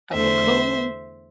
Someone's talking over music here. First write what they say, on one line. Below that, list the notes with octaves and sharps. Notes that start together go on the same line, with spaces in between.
Oh, cool.
E2 D3 A3 C5 E5